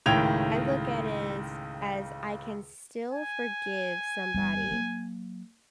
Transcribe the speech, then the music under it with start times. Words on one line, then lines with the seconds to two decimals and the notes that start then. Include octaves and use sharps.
I look at is as I can still forgive somebody
0.06 C#2 A2 D#3 G5 G#6 F7
3.12 G#5
4.34 G1 G3
4.69 F#3 A#3